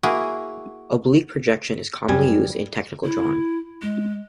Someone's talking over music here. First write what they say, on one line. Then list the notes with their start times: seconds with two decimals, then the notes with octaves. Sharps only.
Oblique projection is commonly used in technical drawing.
0.03 A#3 E4 F#4 G#4
2.08 F#2 G3 G#5
3.04 E4
3.82 G#3